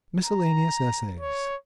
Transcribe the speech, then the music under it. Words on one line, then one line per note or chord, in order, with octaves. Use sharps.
Miscellaneous Essays.
A#5
C#5